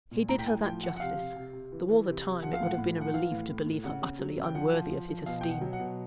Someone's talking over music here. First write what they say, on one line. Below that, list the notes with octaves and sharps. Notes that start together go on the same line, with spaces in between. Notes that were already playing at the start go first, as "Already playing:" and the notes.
He did her that justice, though all the time it would have been a relief to believe her utterly unworthy of his esteem.
A#2
A2 A#5
G5
A2 G#5
F3 G5
F3 F#5
F#5
C3 F5
C3
C3
C3
E3
E3
C3
C3
F3 F#5
F5
A2 F#5
A2
F3
F#5
E3 F5
A2
A2
A2
C#3 F#5
C#3
F#3
C#3
G5
F3 F#5
F3
F3
F3
B2 F5
B2 G5
F#5
F#3
F#5
B2